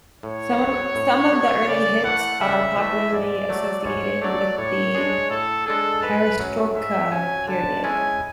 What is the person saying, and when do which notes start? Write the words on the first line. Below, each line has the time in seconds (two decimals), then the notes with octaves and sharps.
Some of their early hits are popularly associated with the Perestroika period.
0.23 A2 C#5
0.59 F#3
0.64 B3
0.95 A2
1.31 F#3 B3
1.68 C#3 D5
2.04 E3 A3 F#5
2.41 C#3 E5
2.77 E3 A3 E5
3.13 G#2 D5
3.50 F#3 A3
3.85 G#2 C#5
4.22 F#3 A3 D5
4.58 A2 C#5
4.95 G#3 D4 G#4
5.30 A2 A4
5.66 G#3 D4 G#4 A4
6.03 G#2 B4
6.40 F#3 C#4
6.75 G#2 E5
7.11 F#3 C#4 G#5
7.47 D3 A5
7.84 G#3 C#4 E4 G#5